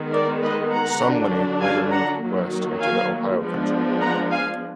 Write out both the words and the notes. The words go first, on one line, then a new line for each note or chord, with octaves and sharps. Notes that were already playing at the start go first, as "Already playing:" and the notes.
Some Lenape later moved west into the Ohio Country.
Already playing: D#3 G#3 B3
A#4 D5
B4 D#5
F#5 A#5
D3 F#3 D4
F5 G#5
F#5 A#5
D#3 F#3 A#3
F5 G#5
F3 G#3 B3 D4
F#5 A#5
F5 G#5